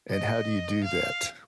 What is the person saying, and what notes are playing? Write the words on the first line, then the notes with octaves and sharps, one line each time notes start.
and how do you do that?
D#5
F5